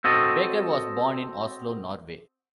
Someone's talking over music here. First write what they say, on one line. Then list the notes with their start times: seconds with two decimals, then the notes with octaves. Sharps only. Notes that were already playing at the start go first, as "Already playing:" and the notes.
Backer was born in Oslo, Norway.
0.04 C4 F#4 A4 D#5